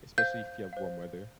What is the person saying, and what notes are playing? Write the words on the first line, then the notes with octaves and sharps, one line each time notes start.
especially if you have warm weather,
C5 F5 G6
C5 F5